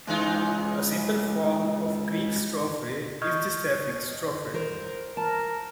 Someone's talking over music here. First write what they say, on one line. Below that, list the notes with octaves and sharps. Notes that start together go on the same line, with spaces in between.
A simple form of Greek strophe is the Sapphic strophe.
C#2 E3 G#3 D#4
D#5 C#6 D#6 F6 G6 G#6
A#4 C5
A#4 A5